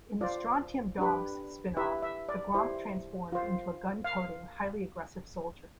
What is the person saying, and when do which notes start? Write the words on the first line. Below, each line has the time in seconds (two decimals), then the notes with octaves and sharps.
In the "Strontium Dogs" spinoff, the Gronk transformed into a gun-toting highly aggressive soldier.
0.21 F4 C5 D5
0.99 D4 G4 B4
1.77 E4 G4 B4 E5
2.02 E5
2.29 D5
2.54 E4 G4 C5
3.32 F4 C5
4.04 F5